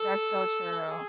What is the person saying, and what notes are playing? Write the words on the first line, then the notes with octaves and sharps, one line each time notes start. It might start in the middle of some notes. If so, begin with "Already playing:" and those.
That's so true.
Already playing: A4
G#4